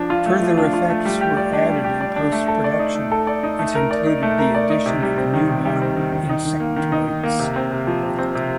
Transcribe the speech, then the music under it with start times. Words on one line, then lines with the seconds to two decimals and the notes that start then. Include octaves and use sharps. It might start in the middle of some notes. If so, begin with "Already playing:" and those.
Further effects were added in post-production, which included the addition of newborn Insectoids.
Already playing: F3 D4
0.10 F4
0.26 A3
0.42 F3
0.57 D4
0.73 F4
0.90 A3
1.05 G3
1.21 G4
1.37 D5
1.53 D4
1.69 G3
1.84 G4
2.01 D5
2.16 D4
2.32 A3
2.48 A4
2.64 D5
2.79 D#4
2.95 A3
3.12 A4
3.27 D5
3.43 D#4
3.59 A3
3.75 A#4
3.91 D5
4.06 D#4
4.23 A3
4.39 A#4
4.55 D5
4.70 D#4
4.86 C3
5.02 G3
5.18 C4
5.34 D#3
5.49 C3
5.65 G3
5.82 C4
5.96 D#3
6.12 D#3
6.29 D#4
6.45 D#3
6.60 A#3
6.76 D#3
6.92 D#4
7.08 D#3
7.23 A#3
7.40 C3
7.56 C4
7.72 C3
7.87 F3
8.03 C3
8.19 C4
8.35 C3